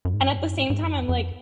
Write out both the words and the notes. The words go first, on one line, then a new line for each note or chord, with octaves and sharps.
and at the same time, I'm like,
F#2
G#2
F#2
G#2
F#2
G#2
G#2
F#2
F2
F2